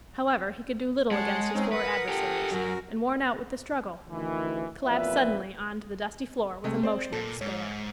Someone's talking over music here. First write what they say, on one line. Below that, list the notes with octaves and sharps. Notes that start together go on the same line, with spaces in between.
However, he could do little against his four adversaries, and, worn out with the struggle, collapsed suddenly on to the dusty floor with a motion of despair.
G#3 C#5 F#5 A5
C4 C#4 D#4
A#4 B4 F#5 D#6
G4 A4
F#2 F#4 A#4
D2 D#3 E3
A1 F2 A#2 B3 B4 E5
C3 G#3 A3
C4 C5 D5
A#2 A4
G#2 C#5